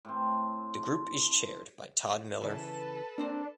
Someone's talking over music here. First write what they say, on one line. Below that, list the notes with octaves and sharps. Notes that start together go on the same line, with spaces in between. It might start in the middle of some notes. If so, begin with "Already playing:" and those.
The group is chaired by Todd Miller.
A2 A3 C4
C#3 E3 A4 B4 A5
A#3 C4 D4 C5